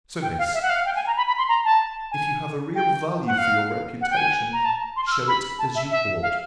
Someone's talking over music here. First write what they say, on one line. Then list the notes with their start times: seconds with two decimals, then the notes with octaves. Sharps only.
So, Miss, if you have a real value for your reputation, shew it as you ought.
0.22 G5
0.39 F5
0.54 E5
0.62 F#5
0.70 F5
0.85 G5
0.95 G#5
1.07 A#5
1.17 B5
1.27 B5
1.38 C6
1.48 A#5
1.65 A5
2.11 G#5
2.75 G5
3.27 F#5
3.38 F5
4.01 F#5
4.11 G5
4.17 G#5
4.53 A#5
4.65 A5
4.96 C6
5.07 F6
5.12 E6
5.28 B5
5.59 A5
5.75 E5
5.91 E5
6.22 F5